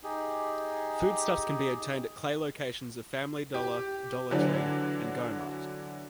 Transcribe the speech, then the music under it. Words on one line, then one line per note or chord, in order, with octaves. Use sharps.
Foodstuffs can be obtained at Clay locations of Family Dollar, Dollar Tree, and Go-Mart.
D#4 G4 G#4
G4
D3 E3 F#3 D4